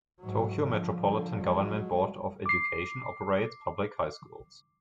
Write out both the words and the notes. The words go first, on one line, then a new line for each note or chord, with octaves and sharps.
Tokyo Metropolitan Government Board of Education operates public high schools.
G#2 F#3
D3 F3
D3
F#3 G#3
D6 C7